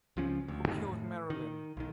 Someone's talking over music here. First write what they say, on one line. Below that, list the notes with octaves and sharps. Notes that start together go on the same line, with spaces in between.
Who Killed Marilyn?
C#2 F3 C#4
D2
F2 A2 D#3
A2
D#3
B1 D#3